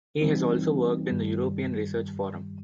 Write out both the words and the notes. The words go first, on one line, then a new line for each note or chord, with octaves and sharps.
He has also worked in the European Research Forum.
E3 G3 C4 D#4
G2 D#3 G3